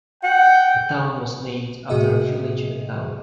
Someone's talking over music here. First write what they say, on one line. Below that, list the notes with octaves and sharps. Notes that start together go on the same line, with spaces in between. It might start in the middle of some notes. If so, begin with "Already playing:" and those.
The town was named after a village in the town.
F#5 G5
A2 C3 F#4 G#4 D#5 E5